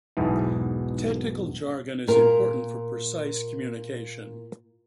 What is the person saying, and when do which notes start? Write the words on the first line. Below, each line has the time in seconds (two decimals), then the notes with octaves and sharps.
Technical jargon is important for precise communication.
0.17 B1 E2 G#2 B2 E3
2.08 A#2 A#4